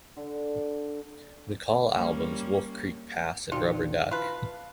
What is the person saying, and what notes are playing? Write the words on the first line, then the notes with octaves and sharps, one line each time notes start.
McCall albums Wolf Creek Pass and Rubber Duck.
D3
G3 A#3 C#4
A#1 D#3 C4 D4 D#4 F4 F#4
E4 F4 B4 F5 A5